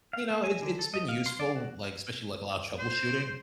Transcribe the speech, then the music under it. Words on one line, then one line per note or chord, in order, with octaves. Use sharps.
you know, it's it's been useful, like, especially, like, a lot of troubleshooting,
F5
A#3
G#5
D3
A4
D#5
F5
C6
D5
F#4
C5